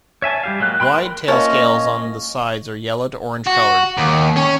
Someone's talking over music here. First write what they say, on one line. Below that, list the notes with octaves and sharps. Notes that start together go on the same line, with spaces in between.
The wide tail scales on the sides are yellow to orange coloured.
C#5 E5 G#5 A5
G3 G4 F5
F#3 G#3 A#3 F#6
G5 B5 C6 F#6
A#4
F3 A#3 C#4 D#5 E5
F#4
D#2
C#4